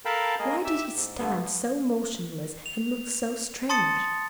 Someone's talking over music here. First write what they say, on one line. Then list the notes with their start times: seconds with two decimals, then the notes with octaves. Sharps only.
Why did he stand so motionless, and look so strange?
0.05 A4 A#4 F5 G5 A5 B5
0.39 G#3 A#3 G#4 A#4 D#5
0.65 G4 E5 E6
0.94 G#2
1.17 G2 D3 B3
2.66 F7
3.69 A5 C6 D#6 A6 C#7